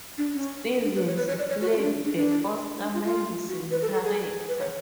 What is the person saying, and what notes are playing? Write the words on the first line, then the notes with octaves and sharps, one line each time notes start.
Stevens played the Oscar Madison character.
D4
C#4
D4
B4
C#5
B4
C#5
D5
C#5
F#4
F4
C#4
D4
D4
D4
D4
F4
F4
F#4
B4
A4
A4
G#4
B4
C#5